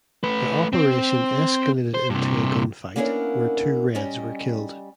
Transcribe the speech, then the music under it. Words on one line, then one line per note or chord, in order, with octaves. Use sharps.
The operation escalated into a gunfight where two Reds were killed.
A3 B4
C4
C5
G2 C3
A#3 B3 C#4 D4 E4 A#4
G3 C#4 D#5